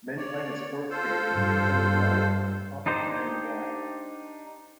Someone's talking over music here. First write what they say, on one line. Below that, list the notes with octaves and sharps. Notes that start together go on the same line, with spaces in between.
Men playing a sports game with two men in white on top of a man in black.
C#5 D5
F4 A4 C5
G2
D4 D#4 G4 C5